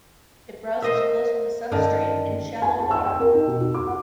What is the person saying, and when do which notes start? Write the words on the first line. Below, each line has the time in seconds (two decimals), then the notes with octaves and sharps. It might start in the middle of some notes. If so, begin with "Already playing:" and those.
It browses close to the substrate in shallow water.
0.82 A#4 C5 D#5 E5
1.72 G2 D3 D#3 C#4 A5
2.62 G#5
2.79 A5
2.91 E6
3.06 G5
3.20 A#4
3.35 D#4
3.47 B2
3.60 F#4
3.74 D6
3.87 F#5